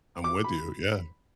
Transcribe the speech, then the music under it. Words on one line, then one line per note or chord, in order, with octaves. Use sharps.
I'm with you, yeah.
D6
B5